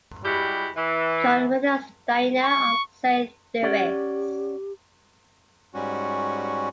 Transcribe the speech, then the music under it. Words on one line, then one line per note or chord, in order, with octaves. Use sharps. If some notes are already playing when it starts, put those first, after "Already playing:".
John Rothensteiner of Saint Louis.
G3 G#3 E4 F#4 G4
E3
C#6
C#4 G4 D5 F#5
G#2 G3 C#4 F#4